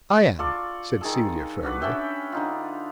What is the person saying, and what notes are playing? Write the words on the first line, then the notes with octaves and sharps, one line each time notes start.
"I am," said Celia firmly.
F4 A4 D5 C#6
D#3 G#4 A4
D4 F#4 B4
C#4 A4 E5 G5
D3 D#4 F4